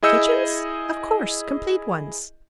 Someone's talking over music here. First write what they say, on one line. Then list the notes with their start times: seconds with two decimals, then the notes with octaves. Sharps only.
"Kitchens?--of course--complete ones."
0.03 E4 G#4 D#5 E6 G6 C#7